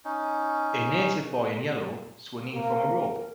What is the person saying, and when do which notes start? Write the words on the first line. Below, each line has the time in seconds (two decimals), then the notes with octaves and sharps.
A native boy, in yellow, swinging from a rope.
0.05 C#4 D#4
2.54 A#3 A#4